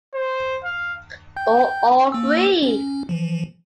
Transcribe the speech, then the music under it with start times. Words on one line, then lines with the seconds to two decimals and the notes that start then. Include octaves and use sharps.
Or all three.
0.14 C5
0.64 F5
1.36 G5 G6
2.12 A#3 E6
2.63 C#4
3.09 E3 F3